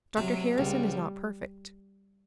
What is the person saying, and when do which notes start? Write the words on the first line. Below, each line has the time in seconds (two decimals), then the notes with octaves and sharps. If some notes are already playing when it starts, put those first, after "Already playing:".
Dr Harrison is not perfect.
0.17 C3 F#3
0.57 C#2 G3